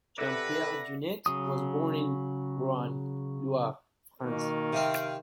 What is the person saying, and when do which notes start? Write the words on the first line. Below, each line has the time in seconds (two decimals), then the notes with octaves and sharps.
Jean-Pierre Jeunet was born in Roanne, Loire, France.
0.18 C3 A4 B4 D5 E5 F#5 A#6
1.26 C#3 F#3 D#6
4.23 B2 D#3 A#3
4.73 C3 C4 F5 G5